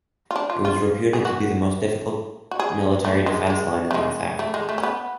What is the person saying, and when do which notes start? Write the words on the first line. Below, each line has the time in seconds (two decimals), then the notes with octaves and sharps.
It was reputed to be the most difficult military defence line in North Africa.
0.31 F4
0.36 D4
0.50 F4
0.65 F4
1.13 G#4
1.25 F#4
2.51 F#4
2.59 G#4
3.05 A3
3.26 G#3
3.50 G#3
3.91 A3
3.94 G#3
4.39 A3
4.54 G#3
4.69 A3
4.78 C#4
4.83 B3